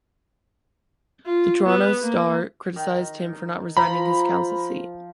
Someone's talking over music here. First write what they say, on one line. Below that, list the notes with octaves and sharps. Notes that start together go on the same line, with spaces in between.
The "Toronto Star" criticized him for not resigning his council seat.
F4
B3
A#3
D#3
F3 A#5 B5